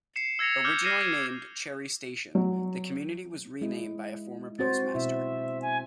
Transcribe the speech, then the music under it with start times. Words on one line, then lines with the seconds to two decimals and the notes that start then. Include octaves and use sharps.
Originally named Cherry Station, the community was renamed by a former postmaster.
0.16 C7 C#7 E7
0.39 E6 G#6 A#6 C#7 F7
0.64 D6 E6 F6 G6
0.84 F6 G#6 A#6 C7 D#7 E7
1.04 G#6
2.35 F#3
3.61 G#3 E4 D#5
4.59 C4 F#4 C5 A6
4.94 B2 E4 E5
5.62 G#5